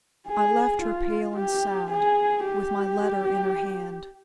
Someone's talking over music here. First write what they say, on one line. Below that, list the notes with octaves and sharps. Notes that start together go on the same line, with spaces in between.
I left her, pale and sad, with my letter in her hand.
G#4
F4
G4
G#4
G4